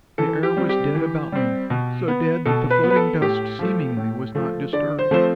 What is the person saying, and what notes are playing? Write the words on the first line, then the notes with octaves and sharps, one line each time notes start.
The air was dead about me, so dead that the floating dust seemingly was not disturbed.
E3 A4
G4
G3 C4
G4
E3
G3 C4
B2
B3
B2 A4
B4
B3
B4
A4
A2 G4
F3 A3
A2
F3 A3
D3 D5
C5
F3 A3 C4 C5